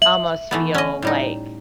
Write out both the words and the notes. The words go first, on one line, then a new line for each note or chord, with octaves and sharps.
almost feel, like,
E5 F#7
E3 A3 B3
C#4 D#5
A2 G3 D#4